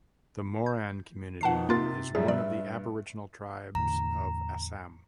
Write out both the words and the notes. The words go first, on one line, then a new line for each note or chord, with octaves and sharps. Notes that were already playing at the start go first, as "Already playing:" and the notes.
The Moran community is one of the aboriginal tribes of Assam.
G6
F2 B2 D#3 D#4 F#5 A5 C7
C3 A#3 F4 A#4 C6 A6
F#2 F3 G3 G#4 E5
G2 D5
E2 A2 D3 A#5